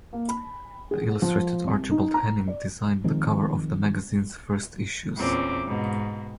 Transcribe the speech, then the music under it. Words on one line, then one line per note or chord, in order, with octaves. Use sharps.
The illustrator Archibald Henning designed the cover of the magazine's first issues.
A#3
B5
G#4
F3
C2
D#4
A#5
D5
D#3 F3 G#3 C4
E2 A#2 C4 C#4 D6
G#2 B2